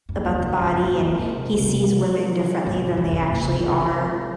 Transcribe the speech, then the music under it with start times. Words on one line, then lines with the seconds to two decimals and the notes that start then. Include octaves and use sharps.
about the body, and he sees women differently than they actually are.
0.09 F#2
0.16 A#3 D#4
0.24 F2
0.39 F2 C#3
0.61 G#2 G#3 C4
0.73 F#2
0.84 F2 A#2
1.00 F#2
1.07 G#3 C4 F#4 A#4
1.15 A#2
1.30 C3
1.53 C#3 F#3 A#3 C#4
1.64 C3
1.75 G#3
1.98 D#4 F#4 A#4
2.20 G#3
2.44 C#4 G#4
2.66 G#2 C3
2.89 F3 G#3 C#4
2.97 F2
3.12 F#2 C3
3.27 A#2
3.35 D#3 G#3 C4
3.42 C3
3.57 C#3 F#3
3.69 D#3
3.80 D#3 C4 F#4 A#4
3.92 D#3
4.04 G#3